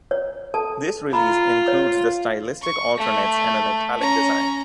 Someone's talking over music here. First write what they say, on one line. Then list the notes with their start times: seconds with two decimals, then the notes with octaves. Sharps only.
This release includes the stylistic alternates and an italic design.
0.11 C#5
0.54 A4 A5
1.13 F4 A#5 B5
1.68 C#5
2.62 C#6
2.97 A3
3.98 C#4 A#5